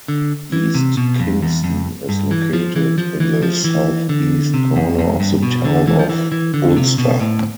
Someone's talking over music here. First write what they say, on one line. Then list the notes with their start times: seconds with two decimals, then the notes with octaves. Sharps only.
East Kingston is located in the southeast corner of the Town of Ulster.
0.08 D3
0.52 E3
0.75 C3
0.97 B2
1.20 F2
1.42 E2
1.64 F2
2.09 G2
2.31 E3
2.53 F3
2.76 E3
2.98 F3
3.20 E3
3.43 F3
3.64 E3
4.09 D3
4.54 C3
4.76 F2
4.99 F2
5.20 G2
5.43 B2
5.65 D3
5.87 E3
5.99 F3
6.09 E3
6.32 E3
6.54 D3
6.76 C3
6.98 B2
7.20 A2